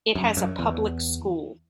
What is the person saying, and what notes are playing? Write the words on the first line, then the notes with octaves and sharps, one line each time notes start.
It has a public school.
F#2
F#2
E2